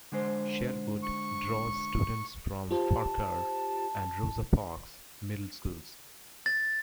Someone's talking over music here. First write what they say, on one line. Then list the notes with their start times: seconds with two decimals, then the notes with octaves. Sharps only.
Sherwood draws students from Farquhar and Rosa Parks Middle Schools.
0.12 D3 G#3 C5
1.03 C#6
2.71 F4 G4 C5 A5
6.46 A6